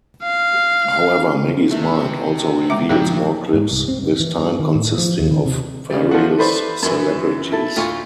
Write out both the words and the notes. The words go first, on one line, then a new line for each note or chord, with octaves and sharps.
However, Maggie's mind also reveals more clips, this time consisting of various celebrities.
F5
C3 A3
G#3 E5 A#5 D6
A#1 F3 A#3 C4 E4 G4 G#4
G#2
C2
C4
G2
E3
G2
D#3
A2
F3
D#2
D#3
C3
C#3 G3
F3 A3 F#4
A3 B4 C5 D5
F#2 E3
E4 A4
D2 A2 F4 C#6